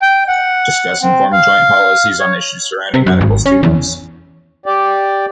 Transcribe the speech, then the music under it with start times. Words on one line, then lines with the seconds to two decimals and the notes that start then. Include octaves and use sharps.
Discuss and form joint policies on issues surrounding medical students.
0.02 G5
0.28 F#5
1.02 C4
1.32 F5
2.20 C#5
2.94 C3
3.06 F#2
3.21 G#1
3.46 C#4
3.63 E2
4.66 G4 D5